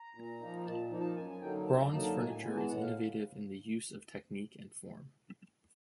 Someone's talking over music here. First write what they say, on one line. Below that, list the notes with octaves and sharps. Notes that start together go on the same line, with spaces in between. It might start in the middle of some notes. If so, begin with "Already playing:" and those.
Broun's furniture is innovative in the use of technique and form.
Already playing: A#5
A#2
F3 A#3 D#4
A#2 A5
F3 A#3 D#4
A5
F#2 G#5
G#5
D3 F#3 A#3 D#4 G5
F#2 A5
A#5
D3 F#3 A#3 D#4 A5
A5
A2 G#5
G#5
E3 G#3 B3 G#5
A5
A2 F#5
F5